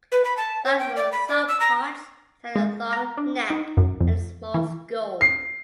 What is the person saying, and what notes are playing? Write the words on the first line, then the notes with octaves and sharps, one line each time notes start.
Like most sauropods, it had a long neck and a small skull.
B4
B5
A5
C#5
G5
D5
B5
D5
E6
A#5
G#3
A#5
D4
D#4
F#2
F2
E3
C7